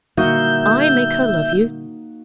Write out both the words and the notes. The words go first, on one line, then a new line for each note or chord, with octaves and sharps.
'I make her love you?
A#2 D3 G3 A#3 D#4 F#4 E5 G6